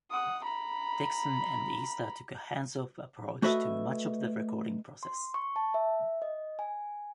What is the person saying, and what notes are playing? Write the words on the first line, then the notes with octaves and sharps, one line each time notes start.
Dixon and Easter took a hands-off approach to much of the recording process.
F#5 D#6
A#5 B5
A3 F#4 A4 B4 D#5 E5
C6
C#6
A5
E5
D#5
G#5